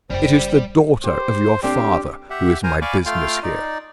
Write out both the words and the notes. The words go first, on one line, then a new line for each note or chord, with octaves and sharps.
"It is the daughter of your father who is my business here."
F#1 F#2 G3 C5 G5
G4 C5
G3 C4 D4 G4
G4 E5 F#5
A#4 C5 G#5 A#5
D5 F5 G#5 B5 C#6 D6
A3 F4 F5 G5 C6 F6
D#4 D5